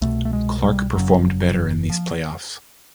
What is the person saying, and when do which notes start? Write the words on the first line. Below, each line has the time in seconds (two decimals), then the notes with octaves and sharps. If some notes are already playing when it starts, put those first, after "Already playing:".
Clark performed better in these playoffs.
0.01 C2 B2 A3
0.25 A3
0.33 G#3
0.64 G3
0.95 F#1 F#2 C#3 F#3
1.90 F3